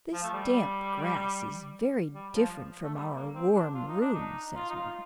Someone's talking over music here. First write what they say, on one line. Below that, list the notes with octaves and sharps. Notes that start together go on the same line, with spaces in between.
"This damp grass is very different from our warm room," says one.
F3
A3
G3
G3
F3
A3
G3
A#3
C4
D4
F4
D#4
D4
D#4
F4
D#4
F4